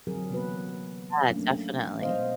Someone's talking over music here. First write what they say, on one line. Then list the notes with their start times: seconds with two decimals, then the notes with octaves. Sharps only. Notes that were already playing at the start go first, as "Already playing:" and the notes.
Yeah, definitely.
0.07 D3 F#3 C4 G#4 A#4
0.30 C3 E3 A#3 B3 F#4 B4
1.31 F#3 A3 A#3 C#4 D4
2.02 B2 G#3 B3 C5 D#5 F5